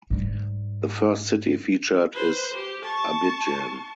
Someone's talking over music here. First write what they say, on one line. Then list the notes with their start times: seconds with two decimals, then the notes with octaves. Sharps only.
The first city featured is Abidjan.
0.10 G#2 G3
2.13 B4 C5
2.54 G4
2.84 A5 C#6